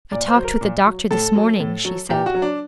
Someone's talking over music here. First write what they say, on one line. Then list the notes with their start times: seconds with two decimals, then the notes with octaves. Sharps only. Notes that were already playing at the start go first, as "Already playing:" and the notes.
'I talked with the doctor this morning,' she said.
0.12 A#2 D5
0.28 C5
0.36 F#3
0.44 A#4
0.61 A#2
0.86 F#3
1.11 A2 A4
1.35 F#3
1.60 A2
1.85 F#3
2.09 A#2 G4
2.26 F#4
2.34 F#3
2.42 D4